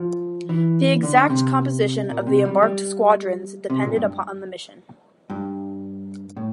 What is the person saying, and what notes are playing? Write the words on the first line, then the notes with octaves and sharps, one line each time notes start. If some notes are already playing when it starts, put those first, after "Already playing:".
The exact composition of the embarked squadrons depended upon the mission.
Already playing: F3
E3
D3
C3
A#2
C3
G3
G3
C3
A#2
G2
G2
A2